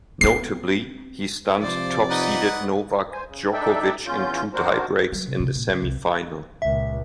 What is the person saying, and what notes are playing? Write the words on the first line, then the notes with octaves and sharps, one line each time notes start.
Notably, he stunned top-seeded Novak Djokovic in two tiebreaks in the semifinal.
B3 C4 C7
C3 F3 C5 D5
D#4 B4 D#5 F#5
C5 G#5
C#3
D4 D#4 A4 D5 E5 G5
E2 C#4 F4 G6
C4 D4 F#4 A#4 C5
F#3
C3
C3
A#2
C#3
C2
C#2 A#2 E5